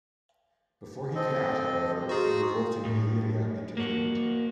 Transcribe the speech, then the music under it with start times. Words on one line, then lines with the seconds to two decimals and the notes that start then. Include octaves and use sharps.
Before he could act, however, the revolt in Illyria intervened.
1.15 C4 A4 D#5
2.09 D#4 F4 F#4 G#4
2.85 A2
3.77 A#3 F#4